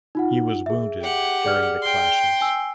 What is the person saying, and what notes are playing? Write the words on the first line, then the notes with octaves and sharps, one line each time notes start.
He was wounded during the clashes.
D#4 F4 F#5
G#4 E5
G4 F#5
G#4 D5 F6
G5 C6
G#5 E6